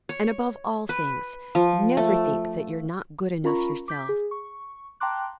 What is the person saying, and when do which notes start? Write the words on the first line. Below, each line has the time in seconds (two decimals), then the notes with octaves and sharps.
And, above all things, never think that you're not good enough yourself.
0.09 C#5
0.89 B4
1.55 F3
1.97 A3
3.44 C#4 F4 A#4 A#5 B5 C#6
3.88 D6 G6 B6
4.09 G#4
4.31 C#6
5.00 G5 A5 A#5 C6 D6 F#6